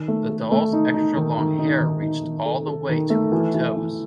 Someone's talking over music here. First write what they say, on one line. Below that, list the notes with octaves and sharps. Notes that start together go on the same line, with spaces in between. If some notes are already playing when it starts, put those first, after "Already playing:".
The doll's extra-long hair reached all the way to her toes.
Already playing: D#3
A3
A4
A3
D#4
D#4
D#3
D#3
D#4
D#3
D#4
D#3
A4
A4
D#3
A3
E3
E3
E3